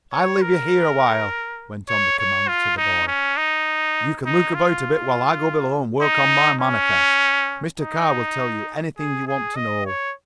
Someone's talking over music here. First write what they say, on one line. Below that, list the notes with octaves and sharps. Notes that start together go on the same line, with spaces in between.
"I'll leave you here a while," went on the commander to the boy. "You can look about a bit while I go below and work on my manifest. Mr. Carr will tell you anything you want to know."
C#5
A#4
C#5
C#5
F4
D#4
C#4
D#4
D#4
F4
D#4
C#4
D#4
G#4
G#4
D#5
C#5